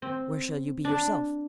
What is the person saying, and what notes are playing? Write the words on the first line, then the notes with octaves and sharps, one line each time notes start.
"Where shall you be yourself?"
C4
D4